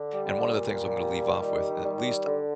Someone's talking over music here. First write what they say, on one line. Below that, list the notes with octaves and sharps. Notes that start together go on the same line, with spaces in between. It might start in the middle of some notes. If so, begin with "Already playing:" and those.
And one of the things I'm gonna leave off with, at least
Already playing: D3
G3
A#2
G3
D#3
G3
D3